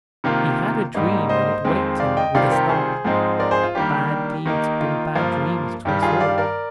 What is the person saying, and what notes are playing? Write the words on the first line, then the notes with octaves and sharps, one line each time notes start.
He had a dream and it waked him with a start. Bad deeds bring bad dreams to us all.
C3 D#3 A#3 F4
G#2 G3 A#3 D#4
C5 D#5
F2 D#3 G#3 C4
D5 F5
D#5 G5
C3 D#3 G3 C4 F4 D5 F5
G4 A#4
G#4 C5
G#2 F3 G#3 C4 D#4
A#4 D5
G#4 C5
F4
D#3 G3 A#3 D4 G4
D#3 A#3 D#4
F4
G2 F3 A#3 F4
G2 D#3 G3 G4
F4 G#4
D5 F5
A#4 D5